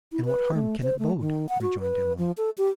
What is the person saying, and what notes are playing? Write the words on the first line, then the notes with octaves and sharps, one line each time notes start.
'And what harm can it bode?' rejoined Emily.
E4
B4
A3
C5
A3
D#3
F#5
F#4
B4
F3
A4
G4